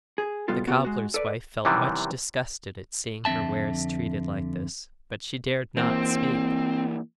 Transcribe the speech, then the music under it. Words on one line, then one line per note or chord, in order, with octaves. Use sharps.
The cobbler's wife felt much disgusted at seeing her wares treated like this, but she dared not speak.
G#4
B2 G3 B3 F4 A4
B3 F#4 G4 A#4 B4
G#3 F#4
A4 B4 D5
F#2 C3 D#3 E3 G3
F2 D3 C4 E5 A5
E3 A#3 C4